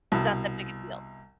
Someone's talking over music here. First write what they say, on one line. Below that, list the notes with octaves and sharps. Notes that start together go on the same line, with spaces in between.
It's not that big a deal."
C2 B2 A5